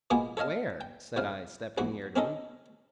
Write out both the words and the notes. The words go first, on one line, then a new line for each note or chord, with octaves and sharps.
"Where?" said I, stepping near to him.
B2 G#3 A#3 B3 F4 G#4
A4 C#5 D#5 F5 A5
G5
C#2 C3 F5
A#1 E2 F#4
C4 C#4 D#4 A4 D#5